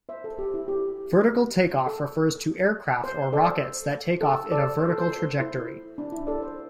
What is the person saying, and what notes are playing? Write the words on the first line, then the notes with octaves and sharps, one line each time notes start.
Vertical takeoff refers to aircraft or rockets that take off in a vertical trajectory.
C5 E5
A4
G4
E4
G4
A4
C5
A4 D5
A4
A4 D5
C5
A4
C5
A4
E4
D4
E4
A4 D5
C5